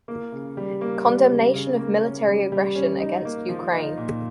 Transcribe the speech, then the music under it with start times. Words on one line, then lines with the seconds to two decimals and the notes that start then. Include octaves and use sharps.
Condemnation of military aggression against Ukraine.
0.08 A#3
0.32 C#3
0.57 G3
0.81 A#3
1.06 G3
1.30 C#3
1.54 C#3
1.79 A#3
2.02 C#4
2.27 G3
2.52 G3
2.75 C#4
3.00 D#4
3.25 A#3
3.49 F3
3.73 D#4
3.98 A#2